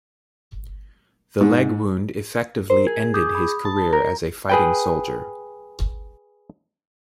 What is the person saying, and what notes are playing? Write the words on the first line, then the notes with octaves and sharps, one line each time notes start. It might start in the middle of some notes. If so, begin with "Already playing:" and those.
The leg wound effectively ended his career as a fighting soldier.
G#2
A#4 C5
G#4
D6 D#6 G6
B5 D#6
A5
A#4 A#5
G#4 B4 G5